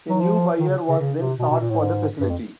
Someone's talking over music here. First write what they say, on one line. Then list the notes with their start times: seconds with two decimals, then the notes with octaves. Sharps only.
A new buyer was then sought for the facility.
0.09 F#3
0.20 F3
0.60 D#3
0.69 C#3
0.89 C#3
0.99 C#3
1.19 C3
1.39 B2
1.50 B2
1.60 A#2
1.70 A2
1.80 G#2
2.21 G2
2.29 F2